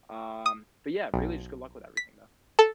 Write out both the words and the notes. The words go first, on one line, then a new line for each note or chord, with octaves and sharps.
um, but, yeah, really, just good luck with everything, though.
D#6
B1
B6
A4